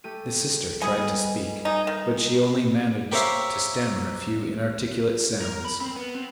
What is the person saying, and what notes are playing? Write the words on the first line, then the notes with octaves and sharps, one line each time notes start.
The sister tried to speak, but she only managed to stammer a few inarticulate sounds.
A3 G4 D#7
G3 G#4 B4 D#5
D#4 G#5 D#6
D#3
G4 A#4 C5 C#5 E5 F5
A#4
B5
C4
B3
C4